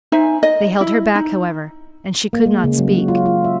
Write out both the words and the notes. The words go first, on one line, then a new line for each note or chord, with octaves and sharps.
They held her back, however, and she could not speak.
D#4 C5 E5 G#5
D#5
E4
D#4
A#3
G#3
C#3
F#3
F#4
F4
F4
E5